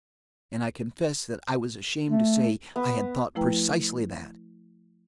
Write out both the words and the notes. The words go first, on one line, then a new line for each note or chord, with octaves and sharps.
And I confess that I was ashamed to say I had thought precisely that.
A3
B3
F3 A3 E4 B4 G5 A#5